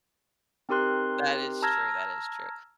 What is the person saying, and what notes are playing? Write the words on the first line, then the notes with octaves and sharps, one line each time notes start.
That is true, that is true.
C4 D#4 G4 A#4 C6 F#6
A5 A#5 E6 F6 G#6 A#6